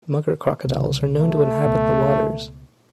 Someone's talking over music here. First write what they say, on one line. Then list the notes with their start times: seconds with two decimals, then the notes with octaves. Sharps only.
Mugger crocodiles are known to inhabit the waters.
0.66 C2 C#3
1.20 A3
1.66 C#2 B2